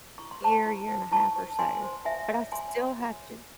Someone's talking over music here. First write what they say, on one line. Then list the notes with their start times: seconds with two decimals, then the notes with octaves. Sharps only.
year, year and a half or so, but I still have to
0.18 E4 C#6
0.31 C6
0.42 C5 A5 C#6
0.66 E4
0.89 C5
1.12 E4 A5 C#6
1.36 C5
1.59 E4 G#5 C6
1.82 C5
2.05 F#4 E5 G#5
2.29 C#5
2.52 F#4 G#5 C6
2.76 C#5
2.99 F#4
3.22 C#5